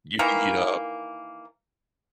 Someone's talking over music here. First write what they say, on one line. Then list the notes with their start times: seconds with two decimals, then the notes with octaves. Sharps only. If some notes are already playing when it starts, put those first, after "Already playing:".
you can heat up.
0.19 D#3 E3 A#3